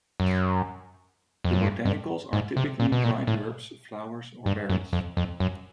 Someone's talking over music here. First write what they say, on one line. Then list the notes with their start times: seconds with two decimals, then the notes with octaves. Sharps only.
The botanicals are typically dried herbs, flowers or berries.
0.20 F#2
1.44 F2
1.53 F#2
1.62 G2
1.85 G2
2.33 G#2
2.57 C3
2.80 A#2
2.92 B2
3.04 A#2
3.27 A2
4.46 G2
4.70 F#2
4.93 F2
5.17 F2
5.40 F#2